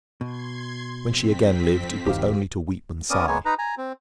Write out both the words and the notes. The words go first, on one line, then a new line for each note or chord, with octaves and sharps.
When she again lived, it was only to weep and sigh.
B2 C6 G#6
F2 C4 B6
D#1 G2 D#3 G4 F5
B3 C#4 A#4 D5 D#6
G#3 A#3 B3 C#5 G#5
D#4 B4 A#5
G#5 A#5
C4